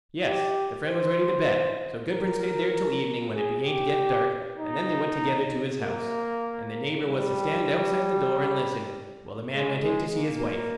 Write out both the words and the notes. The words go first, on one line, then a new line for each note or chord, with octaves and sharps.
Yes! the friend was ready to bet; so Gudbrand stayed there till evening, when it began to get dark, and then they went together to his house, and the neighbour was to stand outside the door and listen, while the man went in to see his wife.
G4
C5
A#4
G#4
G4
D#4
A#3
G3
G#3
G#3
A#3